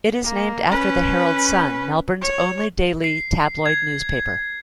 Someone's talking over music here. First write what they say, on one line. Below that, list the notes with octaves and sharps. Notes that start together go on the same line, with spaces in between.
It is named after the "Herald Sun", Melbourne's only daily tabloid newspaper.
A#3
C#4 B4
C#5
C7
G#6